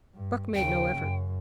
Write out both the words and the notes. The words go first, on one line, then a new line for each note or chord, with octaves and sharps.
Buck made no effort.
G2
D#2 C#3 G5
F#2